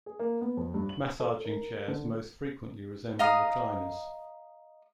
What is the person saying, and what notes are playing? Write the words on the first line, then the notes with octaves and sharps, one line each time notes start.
Massaging chairs most frequently resemble recliners.
G#4
A#3
B3
F2
G2
F#7
A4
A#4
D3
D#5 F5 A#5 D#6